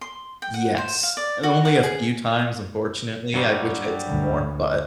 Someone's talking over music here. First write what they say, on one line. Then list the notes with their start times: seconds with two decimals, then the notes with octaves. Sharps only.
Yes, and only a few times, unfortunately, I wish I'd seen more, but
0.01 C6
0.42 G5
0.54 F#5
0.78 C5
1.03 F5
1.17 D5
1.43 F#4
1.65 F#5
1.83 G#4
3.34 G2 F#3 G3
4.07 D2